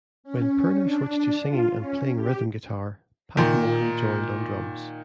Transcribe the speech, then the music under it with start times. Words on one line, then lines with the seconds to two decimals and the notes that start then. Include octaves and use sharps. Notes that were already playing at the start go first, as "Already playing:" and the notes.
When Pirner switched to singing and playing rhythm guitar, Pat Morley joined on drums.
0.24 C#4
0.84 D4
1.46 F4
1.78 C#4
2.16 G4
3.37 A#2 D#3